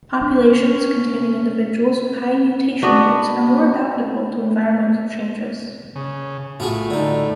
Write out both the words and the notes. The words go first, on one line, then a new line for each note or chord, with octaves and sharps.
Populations containing individuals with high mutation rates are more adaptable to environmental changes.
C#4 D4
B3 D4 F#4 B4
C#3
A2 F4 F#4 G#4
D3 D#4